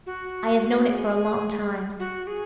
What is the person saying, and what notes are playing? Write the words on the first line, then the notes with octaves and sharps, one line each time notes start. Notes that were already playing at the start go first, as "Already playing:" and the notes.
I have known it for a long time.
F#4
G#4
F#4
G#4